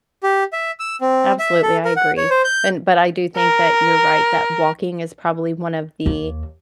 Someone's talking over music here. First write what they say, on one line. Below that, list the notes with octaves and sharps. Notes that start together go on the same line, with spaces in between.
Absolutely, I agree. And but I do think that you’re right that walking is probably one of the
G4
E5
E6
C4
E5
A4
A#4
F#5
C#5
C5
G6
A#4
D#2